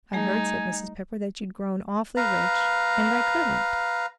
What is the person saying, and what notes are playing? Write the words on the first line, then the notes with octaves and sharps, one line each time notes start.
"I heard," said Mrs. Pepper, "that you'd grown awfully rich, and I couldn't."
G3 A3 D#4 G#4 G#5
B4 F5 A#5